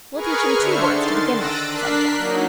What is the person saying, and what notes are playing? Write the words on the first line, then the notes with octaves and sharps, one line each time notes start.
"We'll teach him two words to begin with," said Jess.
G#4 A#4 B4 G#5 C#6 F6
D3 D4 C5 E5 F6 C#7
D3 D#3 C6 A6
E6 F#6 A6 A#6 D7 D#7
D4 A#4 F#6 B6 C7
F#3 A#3 D#4